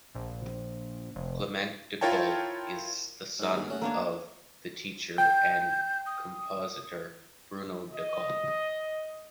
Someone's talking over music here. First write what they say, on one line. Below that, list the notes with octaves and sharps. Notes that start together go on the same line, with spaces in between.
Clément Ducol is the son of the teacher and compositor Bruno Ducol.
A#1
F1
E4 F4 A#4 C#5 G5 A5
G#2 E4 A#4
D#2 G#4
A3 C#4 F#4
A#3 D4 C#5
G5 G6
D#6
D#5